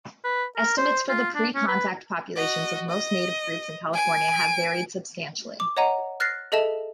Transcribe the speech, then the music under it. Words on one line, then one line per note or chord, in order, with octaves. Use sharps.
Estimates for the pre-contact populations of most native groups in California have varied substantially.
B4
A#4
C5
F4
D4
C#4
B4
F#4 D#5
D#5
G#5 D7
D6
C#5 D#5 F#5 A#5 D#7
F6 F#6 A6 A#6 C7
G#4 A4 D#5 E5 A5 E7